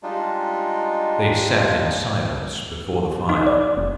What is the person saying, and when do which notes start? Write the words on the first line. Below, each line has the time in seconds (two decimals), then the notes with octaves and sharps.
They sat in silence before the fire.
0.03 G3 G#3 D4 D#4 F4
3.29 D#4
3.47 D5
3.77 F1